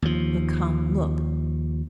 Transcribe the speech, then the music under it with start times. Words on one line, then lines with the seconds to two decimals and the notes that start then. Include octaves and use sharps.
But, come--look!
0.02 D#2 F3